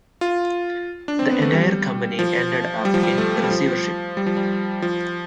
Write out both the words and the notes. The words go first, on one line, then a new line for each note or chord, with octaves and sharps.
The entire company ended up in receivership.
F4
D4
C4
B3
A3
G3
F3
G3
F3
G3
A3
A3
G3
F3
G3
F3
G3
F3